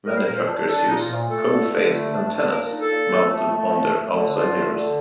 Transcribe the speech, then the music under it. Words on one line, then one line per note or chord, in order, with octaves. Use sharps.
Many truckers use two co-phased antennas, mounted on their outside mirrors.
G3 A#4
C5
A#2 A#4
C5
D4
D4 A4
A#2 D#4
F4
A#2 F4
A3 A4
D3
D3
A3
D4
D4
A#2 A#4
D#4
A4
A#2
A3
A3
A3
A3
A3
D3
D3 F4
A3
D3